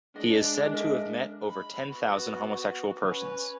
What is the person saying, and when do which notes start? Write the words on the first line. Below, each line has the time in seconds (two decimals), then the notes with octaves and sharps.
He is said to have met over ten thousand homosexual persons.
0.16 G#3 D4 D#5
0.73 A#4 D#5 E5
1.47 B5
1.92 B3 F#4
3.00 C#4 B4